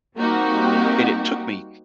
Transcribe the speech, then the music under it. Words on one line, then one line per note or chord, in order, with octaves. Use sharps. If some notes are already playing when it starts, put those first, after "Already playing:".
And it took me
G3 A#3 C4 D#4 F#4 G4